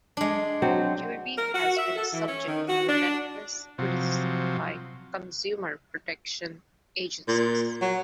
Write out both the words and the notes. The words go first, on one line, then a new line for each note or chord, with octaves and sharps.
Kirby has been subject to relentless criticism by consumer protection agencies.
G#3 D4
F#3 C4
A#4
F#4
E5
A4
E3
C#4
D#3
F#4
D4
C3 F3 F#3
A#2
F#3